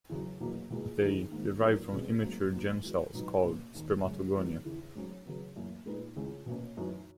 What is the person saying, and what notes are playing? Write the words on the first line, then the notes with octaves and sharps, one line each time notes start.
They derive from immature germ cells called spermatogonia.
E2 C#3 F#3
E2 B2 F#3 A#3 E4
C#2 B2 A#3 E4 G#4
E2 D#3 G#3 D#4 G#4
G#2 D#3 A#3
A#2 F#3 B3 D#4 A#4
B2 G#3 C#4
G#2 F#3 A#3 C#4
D#2 D#3 F#3 B3
E3 G#3 B3 F#4
C#2 B2 F#3 B3 D#4
B2 A#3 C#4
D#2 D#3 A#3
F#2 C#3 G#3
G#2 D#3 F#3 B3 E4
E2 C#3 E3
G#2 F#3 C#4
C#3 F#3 B3
F#2 E3 A#3
A#2 G#3 D#4 G#4 B4
C#2 C#3 G#3 C#4 E4
B2 A#3 C#4
F#2 E3 B3 D#4 F#4